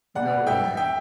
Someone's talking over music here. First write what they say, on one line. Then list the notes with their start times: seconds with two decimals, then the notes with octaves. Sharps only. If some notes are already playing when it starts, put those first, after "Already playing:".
No way.
0.15 D5 F#5
0.47 E5 G5
0.77 E5 G5